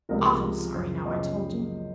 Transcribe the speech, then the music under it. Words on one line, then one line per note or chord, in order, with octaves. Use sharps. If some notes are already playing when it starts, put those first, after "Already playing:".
Awful sorry now I told you.
C#2 C3 F3 A#4
C#2 C3 F3
F#2 C#3 F3 C5
F#2 C#3 F3 D#5